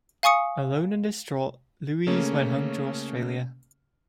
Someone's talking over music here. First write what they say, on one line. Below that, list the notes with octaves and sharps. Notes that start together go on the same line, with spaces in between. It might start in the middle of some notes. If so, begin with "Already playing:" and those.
Alone and distraught, Louise went home to Australia.
F5 G#5 C#6 D#6 C#7
C#3 A3 A#3 C#4